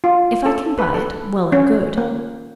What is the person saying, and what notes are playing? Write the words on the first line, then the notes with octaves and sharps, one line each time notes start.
If I can buy it, well and good.
F4
A4
B4
A4
C#4
A#3